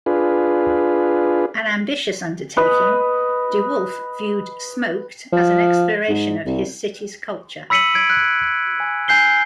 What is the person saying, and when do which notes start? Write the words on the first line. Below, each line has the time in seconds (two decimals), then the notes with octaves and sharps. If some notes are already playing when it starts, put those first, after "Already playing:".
An ambitious undertaking, DeWolf viewed "Smoked" as an exploration of his city's culture.
0.06 D4 F4 G#4 B4
2.57 B4 D#5
5.33 F3
6.09 G#2
6.46 C2
7.70 B5 E6 B6 C#7 D#7 F#7
7.94 G#6 D7
8.10 F#6
8.80 G#5
9.08 G#5 G6 C7 G7